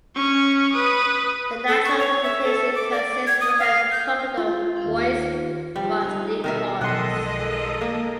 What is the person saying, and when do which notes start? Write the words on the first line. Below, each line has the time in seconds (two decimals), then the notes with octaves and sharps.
The natural vegetation consists mostly of tropical moist broadleaf forests.
0.15 C#4 C#6
0.72 B4 D#6
1.68 A4
1.85 C#6
1.99 C#5
2.23 E5
2.44 A4
2.75 D6
2.92 D5
3.27 G#6
3.41 D#6
3.59 F5
3.92 G6
4.37 F4
4.84 D#2
5.76 F3 G3
6.07 D#4
6.44 B2 D#3 A#4 E5
6.81 B1 F3 G#3 A4 D#5 E5 F#5 C6
7.41 A4 A#4
7.81 A#3